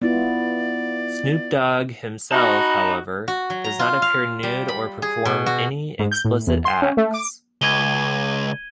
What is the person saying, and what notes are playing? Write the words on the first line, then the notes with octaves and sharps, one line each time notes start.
Snoop Dogg himself however, does not appear nude or perform any explicit acts.
B3 E4 F4 D5
D#4 F#4 A5 B5
F#4
F#3
A#5
F4
F5
G3
B5
G#4
B2
F#4
G#2
G6
A2
E2
C6
C#4
A3
D6
C#2 G#6 D#7 G7